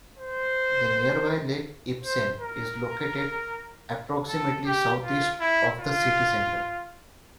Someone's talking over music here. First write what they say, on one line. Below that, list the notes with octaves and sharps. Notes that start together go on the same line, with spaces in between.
The nearby Lake Ibsen is located approximately south-east of the city center.
C5
C5
A#4
A4
G4
F4
E4
F4